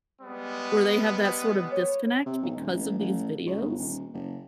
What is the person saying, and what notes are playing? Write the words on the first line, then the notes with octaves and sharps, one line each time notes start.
where they have that sort of disconnect because of these videos
G3 G#3 B3
C#5
C3
B1
D#1
A1
A1
C#2
G1
D#1
F#1